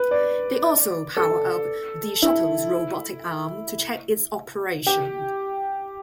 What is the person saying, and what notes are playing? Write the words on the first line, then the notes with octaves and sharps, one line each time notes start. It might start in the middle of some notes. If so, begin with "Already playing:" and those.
They also powered up the shuttle's robotic arm to check its operation.
Already playing: B4
D5
A4
E4
G4